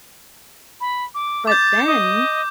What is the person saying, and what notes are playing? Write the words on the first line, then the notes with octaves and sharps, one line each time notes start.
But then,
B5
D6
D6 G6 A6
D#5